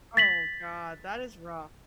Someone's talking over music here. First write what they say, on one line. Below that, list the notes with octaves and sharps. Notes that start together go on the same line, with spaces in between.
Oh god, that is rough.
A6 B6 F#7